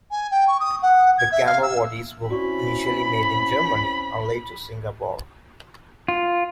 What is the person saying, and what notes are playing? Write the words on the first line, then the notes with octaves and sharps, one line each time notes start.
The camera bodies were initially made in Germany, and later, Singapore.
G#5
G5
C#6
D#6
F#5
G#6
E5
F5
E6
C4 C#4 E4 F#4 D5 B5 C#6
F4